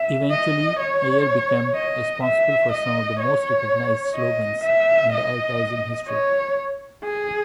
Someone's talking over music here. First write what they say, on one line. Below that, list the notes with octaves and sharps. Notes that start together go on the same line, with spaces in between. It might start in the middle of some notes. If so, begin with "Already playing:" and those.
Eventually Ayer became responsible for some of the most recognized slogans in advertising history.
Already playing: E5
D#5
C#5
D#5
E5
D#5
C#5
D#5
E5
D#5
C#5
G#4